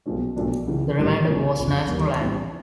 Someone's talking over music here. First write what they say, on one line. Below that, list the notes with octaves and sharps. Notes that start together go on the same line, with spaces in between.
The remainder was national land.
B1 A#2 F3 G#3 C#4
B1 A#2 F3 A3 D4
C#2 C#3 E3
A1 G2 E3 G3 A#3
C2 A#2 F3 G#3 C#4
F#1 F2 C#3
D#2 D#3 G3
A#1 A2 E3 G3 C4